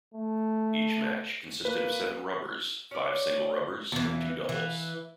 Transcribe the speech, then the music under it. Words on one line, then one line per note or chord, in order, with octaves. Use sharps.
Each match consisted of seven 'rubbers': five singles rubbers and two doubles.
A3
A#3 B4
C#4 D5
E2 E3
E3